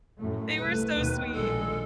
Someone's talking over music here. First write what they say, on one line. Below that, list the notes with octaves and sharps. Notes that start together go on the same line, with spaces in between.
They were so sweet.
F#2 A2 A3
C2 A3 B4
D#2 B2 D#3
A#1 G#3 A4